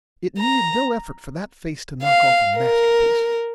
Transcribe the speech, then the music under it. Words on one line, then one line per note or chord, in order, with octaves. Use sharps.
It needed no effort for that face to knock off a masterpiece.
A#5
F5
A#4